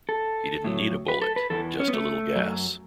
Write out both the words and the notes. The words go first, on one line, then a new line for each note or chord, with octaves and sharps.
He didn't need a bullet, just a little gas.
A4
A2 F#3
B4
A4
B4
E2 E3 A4
C#4
B3
A3
F#2 F#3